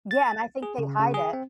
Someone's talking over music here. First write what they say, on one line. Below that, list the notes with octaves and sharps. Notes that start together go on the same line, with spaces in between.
Yeah, and I think they hide it.
A6
G#4
C#3
C#3
G#4
C4